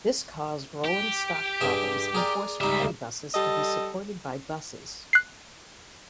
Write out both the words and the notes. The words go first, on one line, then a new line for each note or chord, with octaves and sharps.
This caused rolling stock problems and forced trolleybuses to be supported by buses.
G4
G2 G#4 E5
G#4 A#4 D5
C#2 G3 D#4 E5
G3 A4 D#5
F#6 C7